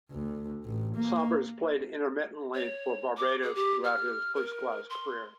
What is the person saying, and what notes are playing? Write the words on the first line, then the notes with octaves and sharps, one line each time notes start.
Sobers played intermittently for Barbados throughout his first-class career.
D2
A1
A#3
C#5
D6
G#4
G4
F6
A#4
C6